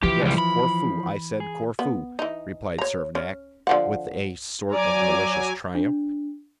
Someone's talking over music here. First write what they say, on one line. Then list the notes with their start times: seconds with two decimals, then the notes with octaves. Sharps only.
"Yes, Corfu; I said Corfu," replied Servadac, with a sort of malicious triumph.
0.03 E3 F3 E4 G4
0.22 C#2 G3
0.38 B5
1.40 G#4
1.79 B3
2.19 E3 D#4
2.78 C#5 A#5
3.15 C#4
3.67 D3 F3 F#5
4.72 F#3 D5 G#5 A#5 D6
5.75 D4